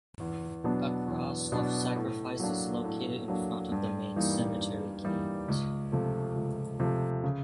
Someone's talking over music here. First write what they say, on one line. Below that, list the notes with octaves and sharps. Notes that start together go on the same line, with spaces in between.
A Cross of Sacrifice is located in front of the main cemetery gate.
E2
B2 F#3 B3 D4
E2
B2 F#3 B3 D4
A2
F#3 A#3 D4
A2
F#3 A#3 D4
G2
E3 G3 A#3 D#4
G2
E3 G3 A#3 D#4
C#2
C3 F3 A3
C#2
C3 F3 A3
C#3